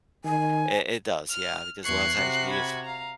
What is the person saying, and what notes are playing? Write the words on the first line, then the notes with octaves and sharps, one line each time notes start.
It it does, yeah, because a lotta times we've,
D#3 G#5
F6
E2 C#6 F#6 G#6 C7
C3 F#4
B5 G#6
F5 A#5